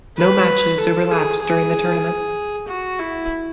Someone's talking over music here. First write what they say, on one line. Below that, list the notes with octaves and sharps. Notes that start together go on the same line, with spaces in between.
No matches overlapped during the tournament.
B4
A4
G#4
G#4
F#4
E4